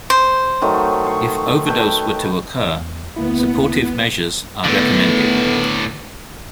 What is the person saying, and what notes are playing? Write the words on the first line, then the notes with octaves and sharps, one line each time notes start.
If overdose were to occur, supportive measures are recommended.
C5
D#3 F#3 A3
C6 C#6
A4 B4 G5
E2
D2 A#3 B3 E4
A2 D3 D#3 A3 B3